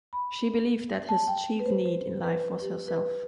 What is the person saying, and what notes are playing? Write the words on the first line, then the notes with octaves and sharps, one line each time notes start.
She believed that his chief need in life was herself.
B5
A5
G5
B4
C5
C5
B4
G4
B4